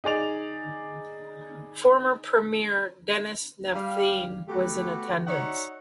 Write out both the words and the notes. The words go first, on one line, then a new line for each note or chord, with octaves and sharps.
Former premier Denis Napthine was in attendance.
D#4 G#4 D5 F7
G3 F5
A3 B3 F#4 G4
D#4 F#4 C#5 D5 E5 F#5